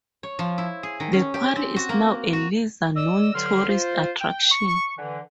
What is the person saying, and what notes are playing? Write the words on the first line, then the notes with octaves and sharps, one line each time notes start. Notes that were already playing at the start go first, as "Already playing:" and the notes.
The quarry is now a lesser-known tourist attraction.
C#5
F3
E4
G#4
D#3
C#4
G4
C4
F#4
A#3
F#4
D5 D#5 E6
G2 D3 F#3 C6 F6
F4 C5
G5
C#6
D3 E3